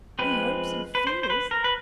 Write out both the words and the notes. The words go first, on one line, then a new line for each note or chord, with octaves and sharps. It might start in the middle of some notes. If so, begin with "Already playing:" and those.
'He hopes and fears.
F3 G#3 C4 B4
B4
C5
C5
B4
A#4
B4